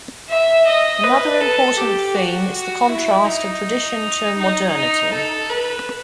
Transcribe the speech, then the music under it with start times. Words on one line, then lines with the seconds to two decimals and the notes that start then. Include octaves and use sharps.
Another important theme is the contrast of tradition to modernity.
0.29 E5
0.66 D#5
1.03 B4
1.40 A4
1.77 G4
2.15 F#4
2.52 F#4
2.89 E4
3.26 D#4
4.38 D#4
4.75 D#4
5.12 A4
5.49 B4